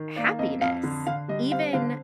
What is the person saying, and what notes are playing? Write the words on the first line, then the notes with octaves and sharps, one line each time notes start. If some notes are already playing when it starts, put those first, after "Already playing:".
happiness even
Already playing: D#3
A#3 D5
F2 D#5
F2 F5
D3
D3 F5
G3 D#5
C4 F5
D3 F5